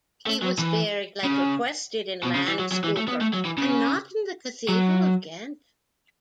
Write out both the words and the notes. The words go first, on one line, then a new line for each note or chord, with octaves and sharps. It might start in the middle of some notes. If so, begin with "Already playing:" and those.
He was buried like requested in Landskouter, and not in the Cathedral of Ghent.
A3
F#3
E3
C#3
B2
C#3
E3
F#3
F#3
E3
A3
B3
A3
F#3
E3
C#3
F#3